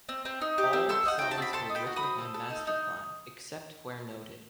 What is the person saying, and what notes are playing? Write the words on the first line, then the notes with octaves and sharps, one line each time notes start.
All songs were written by Masterplan, except where noted.
C4
C4
D#4
G4
C4
A4 C6 E6
D#4 F#5
F#4 G5
A5
C4 B5
A4 A5 C6
D#4
G5 B5
F#4
B5 D#6
C4
A4
A4
D#4
D#4